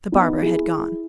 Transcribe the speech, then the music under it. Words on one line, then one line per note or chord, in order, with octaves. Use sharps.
The barber had gone.
B3 D#4
E4 G#4